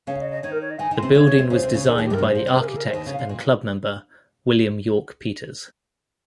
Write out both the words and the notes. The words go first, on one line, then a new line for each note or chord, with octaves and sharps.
The building was designed by the architect and clubmember William York Peters.
C#3 C#4 F5
D#5
D#5
D#3 D#4 C#5
A#4
C#5
D#5
D#3 D#4 G#5
D#3 D#4
C6
C3 C4
C#3 C#4 C#5
C#3 C#4
C3 C4
C#3 C#4 C5
C3 C4
C#3 C#4
D#2 D#3 A#4
G#4
D#2 D#3
G4
G2 G3 A#4
C3
C#3 C5
A#2
C3 C5
C#3 A#4
G4
A#4
C5
D#2 D#3
C#3
F5
C3
A#2